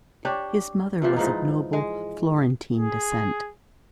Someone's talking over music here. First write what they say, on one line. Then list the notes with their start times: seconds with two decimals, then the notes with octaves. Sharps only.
His mother was of noble Florentine descent.
0.25 D4 G4 C#5
1.02 A#2 E3 F3
1.16 G#2 E3 F3 D#4
1.73 G#3
2.75 G#4